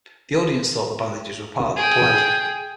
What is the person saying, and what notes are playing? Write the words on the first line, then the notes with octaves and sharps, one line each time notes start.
The audience thought the bandages were part of the play.
G#4 G5